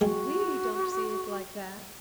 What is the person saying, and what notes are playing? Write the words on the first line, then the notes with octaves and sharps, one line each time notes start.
We don't see it like that.
G3 G#3 F#4